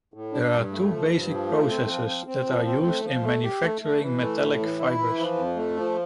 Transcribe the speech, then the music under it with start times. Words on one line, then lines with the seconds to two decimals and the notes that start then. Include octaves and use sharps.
There are two basic processes that are used in manufacturing metallic fibers.
0.14 A2
0.33 D4
0.53 G2
0.72 A3
0.91 F3
1.10 G2
1.30 F3
1.49 A3
1.69 C4
1.88 F3
2.07 C4
2.27 C4
2.46 F3
2.65 C4
2.85 A3
3.04 F3
3.23 A3
3.43 G4
3.63 A3
3.82 A3
4.01 E3
4.21 A3
4.40 A2
4.59 E3
4.79 E4
4.98 E3
5.17 F3
5.37 F2
5.56 A3
5.76 F3